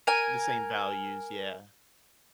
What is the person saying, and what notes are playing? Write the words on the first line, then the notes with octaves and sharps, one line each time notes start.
The same values. Yeah.
A#4 G#5